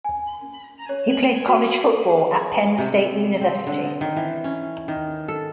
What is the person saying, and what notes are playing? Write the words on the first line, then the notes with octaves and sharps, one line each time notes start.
He played college football at Penn State University.
G#5
C#5
F#7
F#4
A4
G#4
C3
C4
D3
D#3
E3
C#4
D#3
A4